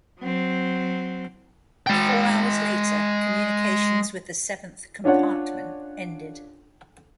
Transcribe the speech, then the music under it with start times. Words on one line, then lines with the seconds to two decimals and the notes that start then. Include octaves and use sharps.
Four hours later, communications with the seventh compartment ended.
0.19 F#3 C4
1.87 G#3 G5
5.04 C#4 D4 F4 C#5 F#5